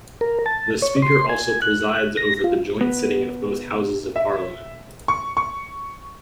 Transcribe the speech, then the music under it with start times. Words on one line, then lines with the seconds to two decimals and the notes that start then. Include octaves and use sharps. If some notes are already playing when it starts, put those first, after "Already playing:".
The speaker also presides over the joint sitting of both Houses of Parliament.
0.21 A#4
0.46 A5
0.82 C#5
1.02 C6
1.29 G#5
1.62 F#6
2.17 A#6
2.44 F4
2.81 B3
4.16 E5
5.08 C#6
5.37 C#6